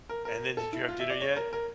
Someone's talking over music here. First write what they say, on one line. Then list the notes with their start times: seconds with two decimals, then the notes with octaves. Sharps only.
And then did you have dinner yet?
0.09 A#4
0.25 A#4
0.57 A4
0.73 E4
0.88 F4
1.00 E5
1.10 D5
1.21 C#5
1.37 A#4
1.53 A#4